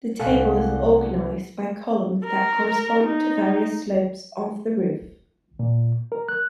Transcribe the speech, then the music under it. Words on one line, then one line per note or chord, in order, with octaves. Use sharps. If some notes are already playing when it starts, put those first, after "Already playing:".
The table is organized by columns that correspond to various slopes of the roof.
C2 A4 F5 F#5 G#5
A#4
D#4
A#2
A#4
F#6